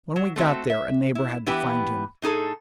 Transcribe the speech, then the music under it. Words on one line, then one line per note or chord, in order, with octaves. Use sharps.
When we got there, a neighbor had to find him.
F#3
A3 C4 F#4 E5
E5
E4
E3 B3 E4 G4 B4 G5
A2 D#4 G#4 A4